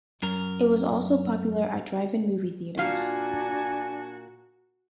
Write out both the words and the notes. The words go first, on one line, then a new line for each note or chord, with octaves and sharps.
It was also popular at drive-in movie theaters.
F#2 A#4
A#2 D4 F#4 F5 G#5